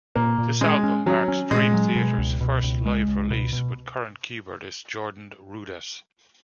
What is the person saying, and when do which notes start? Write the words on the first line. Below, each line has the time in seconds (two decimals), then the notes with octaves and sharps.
This album marks Dream Theater's first live release with current keyboardist Jordan Rudess.
0.15 A#2 A#3
0.38 A#2
0.61 G#3 C#4
0.83 C#4
1.06 F#3 C#4
1.28 C#4
1.51 A#2 G#3
1.73 F#3
1.96 B2
2.18 C#2
2.41 B2
2.63 C#2
2.86 G#3
3.08 C#2
3.30 B2
3.53 B2